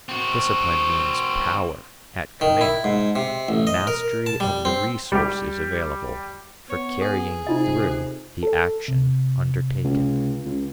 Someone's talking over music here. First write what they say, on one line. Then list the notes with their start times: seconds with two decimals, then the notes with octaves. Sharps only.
Discipline means power at command; mastery of the resources available for carrying through the action undertaken.
0.09 C4 F#4
2.41 D#3
2.61 E4
2.84 G#2
3.16 C3
3.49 A1
3.67 D#5
3.87 A#4
4.26 A5
4.40 G3
4.65 C4
5.12 G3 G4
6.70 B3 C#5
7.02 G#4 A4
7.47 C3 D#4 F4 D#5
7.80 A4 C5
8.43 A4
8.88 C3
9.84 C#2
10.46 C#2